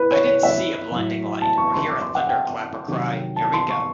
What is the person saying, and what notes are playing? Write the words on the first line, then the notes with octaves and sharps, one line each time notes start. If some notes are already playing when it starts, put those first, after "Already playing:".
I didn't see a blinding light or hear a thunder clap or cry 'Eureka!
Already playing: E3 B4
C#5
C#5
E5
A2 F#3
A5
C#6
C6
D6
C6
F#5
G5
C3 D#3 F#3
A5
C6
C#6